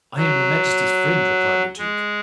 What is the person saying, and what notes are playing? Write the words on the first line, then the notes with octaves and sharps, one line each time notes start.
"I am your majesty's friend," replied the duke.
F#3
G#3